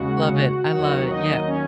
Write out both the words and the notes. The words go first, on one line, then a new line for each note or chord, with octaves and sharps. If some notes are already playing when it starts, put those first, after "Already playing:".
Love it. I love it. Yeah.
Already playing: D#2 C#3 G#3 F#4 F#5
D#2 D#3 F#3 F#4 F#5
D#4 D#5
C#4 C#5